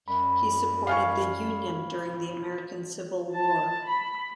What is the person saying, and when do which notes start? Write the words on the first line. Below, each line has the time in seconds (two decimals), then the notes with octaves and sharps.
He supported the Union during the American Civil War.
0.08 F#2 G3 B5
0.87 F5 G#5 C#6
3.31 A5
3.87 B5